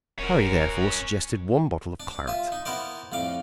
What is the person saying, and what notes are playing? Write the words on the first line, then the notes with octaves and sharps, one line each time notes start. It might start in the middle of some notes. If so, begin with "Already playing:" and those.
Harry therefore suggested one bottle of claret.
D#1 C#4 F#4 A#4
D4
F4 E5
D#4
B3 E4 A#4 C5 D5
F2 A2 F5 D6